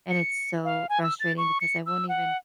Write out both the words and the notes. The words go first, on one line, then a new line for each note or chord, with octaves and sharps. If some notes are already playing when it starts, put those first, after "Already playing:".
and it's so frustrating because I won't even
C#7
F5
G#5
E6
A6
C#6
C#7
E6
F#5